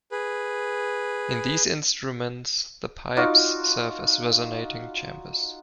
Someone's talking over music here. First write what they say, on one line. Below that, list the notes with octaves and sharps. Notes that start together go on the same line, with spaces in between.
In these instruments, the pipes serve as resonating chambers.
G#4 B4
D#4 F4 F#4 D5